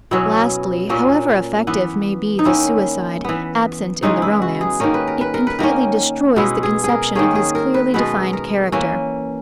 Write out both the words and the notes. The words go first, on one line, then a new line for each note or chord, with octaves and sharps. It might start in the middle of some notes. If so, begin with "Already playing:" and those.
Lastly, however effective may be the suicide, absent in the romance, it completely destroys the conception of his clearly defined character.
B2 F#3 C#4 E4
A#2 A#3 C#4
E3 B3
D#4
D#3 A#3 C#4 E4
E3 B3
C#3 E3 G#3 C#4 D#4
E4
F#4
G#4
D#3 A#3 C#4 A#4
B4
A#4
B4
A#4
B4
D#3 A#3 C#4 A#4
B2 G#3 B3 E4
G#4
G#4 A#4
D#3 A#3 C#4 G#4
G#4
A#4
B4
B2 G#3 B3 B4
A#4
E3 A#3 C#4